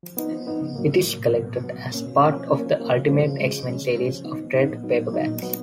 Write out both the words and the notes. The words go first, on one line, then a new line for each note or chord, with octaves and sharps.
It is collected as part of the "Ultimate X-Men" series of trade paperbacks.
F3
B3 D#4
F3
B3 D#4
C#3
F#3 A#3
C#3
F#3 A#3
A#2
F#3 B3
A#2
F#3 B3
B2
A#3 C#4
B2
A#3 C#4
F3
A#3 C#4
F3
A#3 C#4
C#3
F3 G#3
C#3
F3 G#3
C#3
G#3 C#4
C#3
G#3 C#4
F3
B3 D#4
F3
B3 D#4
A#2
F#3 B3 D#4
A#2
F#3 B3 D#4
A#2
F#3 B3